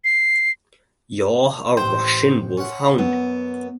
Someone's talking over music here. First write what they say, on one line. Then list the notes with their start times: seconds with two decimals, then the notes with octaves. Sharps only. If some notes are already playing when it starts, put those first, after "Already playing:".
You're a Russian wolfhound.
0.04 C7
1.77 A1 C5 G5
2.57 C#4 F#5
2.98 F#2 B3